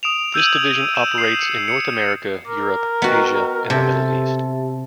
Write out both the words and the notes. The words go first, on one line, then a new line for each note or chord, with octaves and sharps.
This division operates in North America, Europe, Asia and the Middle East.
D#6 D7 E7 F7
E6 G6 G#6 D#7 F#7
E6 D#7 E7
C7
C#7
C#7
A#4 D6
B3 F#4 D#5 G5 A#5
C3 G4 A4 E5 A5